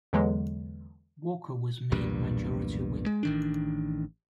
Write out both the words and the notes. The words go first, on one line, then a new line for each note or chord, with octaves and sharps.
Walker was made Majority Whip.
E2 D3 E3 F#3 G#3
B1 E2 G2 A#2
G#3
A1 D#3 D4